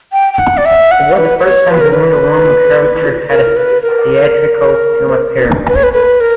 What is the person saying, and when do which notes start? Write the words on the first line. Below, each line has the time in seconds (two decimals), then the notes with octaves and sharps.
It was the first time the Wonder Woman character had a theatrical film appearance.
0.13 G5
0.34 G5
0.39 F#5
0.57 D5
0.65 E5
0.91 F#5
1.17 B4
1.39 B4
1.44 C#5
1.70 B4
1.81 A#4
1.93 B4
3.30 A#4
3.57 B4
3.82 A#4
5.68 B4
5.75 C#5
5.83 B4
5.93 B4
6.20 A#4